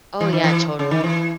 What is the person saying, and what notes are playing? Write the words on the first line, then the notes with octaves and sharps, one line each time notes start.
Oh, yeah, totally.
E3
D#3
E3
C#3
D#3
E3